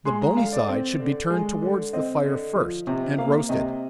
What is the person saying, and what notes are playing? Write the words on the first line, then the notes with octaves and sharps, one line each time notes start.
The bony side should be turned towards the fire first, and roasted.
G#3 C6
A#5
D3 F5
D5
C4
D3
G#3
D3
C4 D#5
D3
F3
C3
A#3 F5
C3 D#5